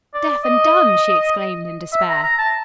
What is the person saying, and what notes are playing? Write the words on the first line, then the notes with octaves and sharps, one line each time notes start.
"Deaf and dumb!" she exclaimed in despair.
D5
D#5
E5
A#5
A#5
A5